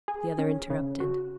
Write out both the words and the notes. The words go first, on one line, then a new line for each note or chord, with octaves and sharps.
The other interrupted.
G#4
C#4
C#3
F#4